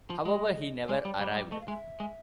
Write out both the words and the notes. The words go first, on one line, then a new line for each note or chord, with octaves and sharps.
However, he never arrived.
F3
G#3 D#5
C#5
G#3 D5
G3
G3
G#3
G3
A3 D#5
F5
G#3 E5
G#3